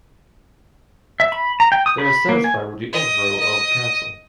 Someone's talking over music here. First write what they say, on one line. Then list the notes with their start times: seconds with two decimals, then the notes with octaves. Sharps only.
They are satisfied with the overthrow of the Council.
1.20 E5
1.32 B5
1.60 A#5
1.72 G5
1.86 D#6
1.98 B5
2.29 A#3
2.44 G#5
2.92 D#5
3.40 D#5